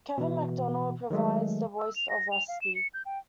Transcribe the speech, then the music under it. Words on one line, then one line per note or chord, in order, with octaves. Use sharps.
Kevin McDonald provides the voice of Rusty.
B2 E3
D#3 F#3 G#3 A3
E6
F7
A#6
F7
F5
E7
C#7
G6
G5